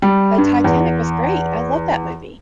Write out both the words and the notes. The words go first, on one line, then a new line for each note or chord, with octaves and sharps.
The Titanic was great, I love that movie.
G3
G2
E2